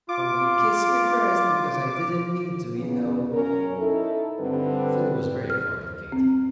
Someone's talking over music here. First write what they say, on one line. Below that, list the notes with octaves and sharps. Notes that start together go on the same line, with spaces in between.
"Only kiss me first, because I didn't mean to, you know!"--Philly was very fond of Katy.
F4 D6
E2 C#3 B3
F#2 C#4 A#4
D#4 E4 A4
G2 D3 G3 C4 B4
F6
C4